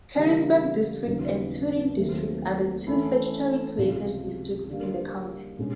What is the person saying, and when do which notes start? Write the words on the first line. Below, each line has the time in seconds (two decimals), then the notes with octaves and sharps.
Careysburg District and Todee District are the two statutorily created districts in the county.
0.16 C#3 E3 G3 A#3
1.06 D#2 C#3 F#3 B3 D#4
1.97 D#2 D#3 F#3 A3 C4
2.87 E3 A3 C#4 E4
3.78 C#2 C3 F3
4.68 D3 G3 A#3
5.58 B2 G#3 C#4